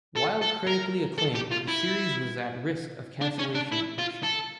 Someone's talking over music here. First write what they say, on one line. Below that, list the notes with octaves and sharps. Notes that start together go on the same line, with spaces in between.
While critically acclaimed, the series was at risk of cancellation each year.
A4
A4
A#4
A4
G4
F4
E4
D4
C#4
D4
E4
F4
A4